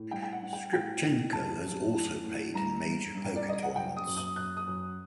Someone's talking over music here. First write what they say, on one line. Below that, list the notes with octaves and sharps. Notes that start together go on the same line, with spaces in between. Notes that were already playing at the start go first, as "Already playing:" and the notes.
Skripchenko has also played in major poker tournaments.
Already playing: A2
G2 G5
G5
F#5
G2
G5
A2 G5
A2
F#2 A5
F#2
A2
A2
G2 A#5
G2
G2
D5
G2 D#5
F#5
F#2 G5
D#6
F#2
D#6
F#2 F#6
D#6
F#2